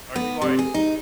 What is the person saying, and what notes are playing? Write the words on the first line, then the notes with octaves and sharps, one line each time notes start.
"Are you like"
B3
C3
G#4
D#4